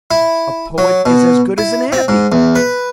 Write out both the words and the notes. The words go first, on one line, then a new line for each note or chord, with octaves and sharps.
A poet is as good as an abbe.
E4
F#3
B2
E4
C4
G#2
E2
B4